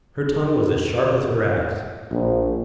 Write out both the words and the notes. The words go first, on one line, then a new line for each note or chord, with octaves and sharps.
Her tongue was as sharp as her axe.
A#1